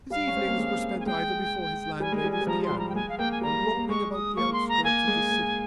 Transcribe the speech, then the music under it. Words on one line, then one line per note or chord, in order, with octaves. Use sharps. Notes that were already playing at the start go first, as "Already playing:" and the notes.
His evenings were spent either before his landlady's piano or roaming about the outskirts of the city.
G3 F5
C#4
C4
A#3
G#3
G#5
G#3 G5
G3 G#5
G#3 G#5
G3
G#5
G3
F3 A#5
C6
G3
A#5
G5
G#3 G#5
F5
A#3 G5
G#5
G3 A#5
G#3 C#6
D#6
A#3 C#6
C6
A#5
A#3 G#5
G#3
A#3